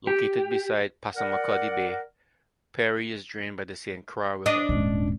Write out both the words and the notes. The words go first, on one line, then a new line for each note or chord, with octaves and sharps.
Located beside Passamaquoddy Bay, Perry is drained by the Saint Croix River.
G4
A#4 D5 F#5
D4 D#5
D#1 G#2